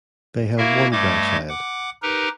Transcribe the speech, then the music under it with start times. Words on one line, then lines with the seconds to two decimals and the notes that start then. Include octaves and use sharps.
They have one grandchild.
0.58 A#3 E4 F#4 A#4 E5 F5
0.92 G2 G3 A3 D#5 D6 G#6
1.49 F#5 D6
2.02 D#4 G4 A#4 B4